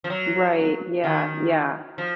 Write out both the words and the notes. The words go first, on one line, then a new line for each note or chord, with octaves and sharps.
Right. Yeah. Yeah.
F3
F#3
D#3
F3